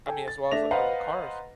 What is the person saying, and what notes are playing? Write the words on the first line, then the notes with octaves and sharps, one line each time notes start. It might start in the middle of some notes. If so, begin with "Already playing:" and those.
I mean, as well as the as the cars
A4 G5 G#5
A6
A3 D4 E5 A#6 F7
B4 C5 D#5 F5 F#5 A#5